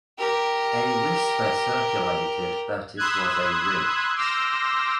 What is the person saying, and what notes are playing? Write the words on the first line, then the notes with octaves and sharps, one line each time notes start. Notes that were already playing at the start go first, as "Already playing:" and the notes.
A whisper circulated that it was a rig.
G4 A#4
B5 C6 D#6 E6 F#6 G#6
C6 D6 E6 F6 G6 A#6